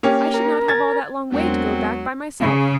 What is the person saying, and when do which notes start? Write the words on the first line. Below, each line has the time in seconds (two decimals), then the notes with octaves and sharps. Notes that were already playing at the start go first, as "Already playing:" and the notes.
"I should not have all that long way to go back by myself."
0.03 A#3 C#4 G4
0.34 A#4
0.68 G#6 A6
1.32 E2 F#3 G#3 B3 C4 D4 A#4 G5
2.40 C#3